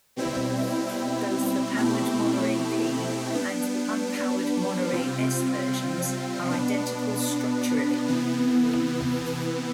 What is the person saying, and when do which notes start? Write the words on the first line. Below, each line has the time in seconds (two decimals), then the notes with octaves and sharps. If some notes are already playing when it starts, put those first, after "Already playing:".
Both the powered Monerai P and the unpowered Monerai S versions are identical structurally.
0.16 B2 G3 C4 E4
1.75 B2 A3 C4 E4 G4
3.33 G3 B3 D4
4.92 C3 G3 C4 F4
6.50 B2 B3 D4
8.07 C3 E3 B3